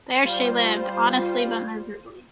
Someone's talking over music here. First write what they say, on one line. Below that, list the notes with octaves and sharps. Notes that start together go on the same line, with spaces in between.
There she lived honestly but miserably.
G3 F4 C5